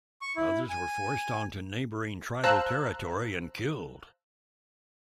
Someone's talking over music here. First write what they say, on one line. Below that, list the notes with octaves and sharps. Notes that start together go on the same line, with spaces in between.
Others were forced onto neighbouring tribal territory and killed.
C#6
E4
G#5
C5 F5 A5 A#5 E6 F#6